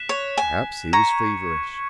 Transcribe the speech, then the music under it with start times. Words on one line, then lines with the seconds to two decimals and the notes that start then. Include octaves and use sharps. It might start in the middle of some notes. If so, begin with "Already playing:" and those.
Perhaps he was feverish.
Already playing: F#6 B6 E7
0.09 C#5
0.37 G#5
0.93 A#5 C#6 G#6 C#7